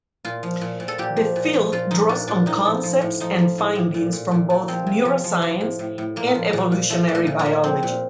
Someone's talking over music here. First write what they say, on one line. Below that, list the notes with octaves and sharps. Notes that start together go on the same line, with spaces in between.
The field draws on concepts and findings from both neuroscience and evolutionary biology.
A#2 F4
F3
A#2
A#2
A4
A#2 G4
F3
A#2
F3
A#2 F4
F3 D#4
A#2 D4
A#2 D4
A2 D#4
F3
F3
A2
F3 D#4
F3
A2
A2
A#2
A#2
A#2
A#2
F3 C4
C3
F3
F3
F3
A2
A2
A2
A#2 A#3
F3
A#2
A#2
F3 A3
A#2
A3
A#2
A#3
A#2
F3 C4
A#2